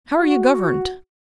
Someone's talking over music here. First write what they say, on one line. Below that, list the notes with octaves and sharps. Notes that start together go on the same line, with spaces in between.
How are you governed?
F#4